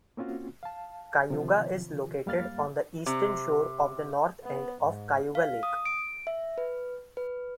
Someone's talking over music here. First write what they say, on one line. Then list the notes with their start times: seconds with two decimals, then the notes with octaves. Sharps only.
Cayuga is located on the eastern shore of the north end of Cayuga Lake.
0.17 A#3 C4 C#4 F4 F#4
0.63 F5 A5
1.30 C3 D#3 F3 F4
2.26 F#2 G3 A#3 F5 F6 A6
3.06 C3
4.44 B3
4.82 G#2
5.35 F5
5.63 D#6
5.85 D7
6.27 E5
6.58 B4
7.17 B4